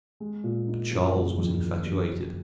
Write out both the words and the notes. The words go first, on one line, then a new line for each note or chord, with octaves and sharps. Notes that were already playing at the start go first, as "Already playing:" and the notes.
But Charles was infatuated.
G#3
A#2
D#4
F3
F#1
F2
D#3
F#3
F#3